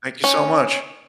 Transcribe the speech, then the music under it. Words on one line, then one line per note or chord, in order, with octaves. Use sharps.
Thank you so much.
C#4